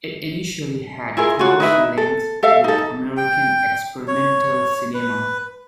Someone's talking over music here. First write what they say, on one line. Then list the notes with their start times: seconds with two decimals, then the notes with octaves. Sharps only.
It initially had close links with American experimental cinema.
1.17 E4 F4 G#4 A#4
1.39 F4 F#4
1.60 D#4 E4 B4 E5
1.97 A4
2.43 A4 E5 F5
2.64 D#4 A4
3.17 G5
4.08 C#5
4.94 B4